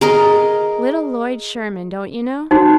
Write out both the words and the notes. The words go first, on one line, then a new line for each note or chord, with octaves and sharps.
Little Lloyd Sherman,--don't you know?
G#4 A#4 D#5
D#4 F#4